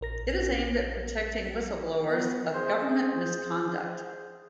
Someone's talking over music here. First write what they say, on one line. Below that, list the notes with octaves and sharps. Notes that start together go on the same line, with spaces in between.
It is aimed at protecting whistleblowers of government misconduct.
A#1 A#4 A#6
B3
G#4 C5